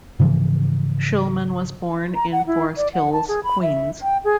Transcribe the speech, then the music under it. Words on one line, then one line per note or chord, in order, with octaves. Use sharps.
Schulman was born in Forest Hills, Queens.
G#2 C#3 E3 F3
A#5
F#5
E4
D5
F#5
A5
G#4
B5
E5
G5
G#4